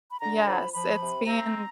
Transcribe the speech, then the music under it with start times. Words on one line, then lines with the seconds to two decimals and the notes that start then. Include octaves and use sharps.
Yes, it's being
0.12 B5
0.21 D3 A#5
0.46 F3 B5
0.74 F3 B5
1.00 C3
1.27 C4 A#5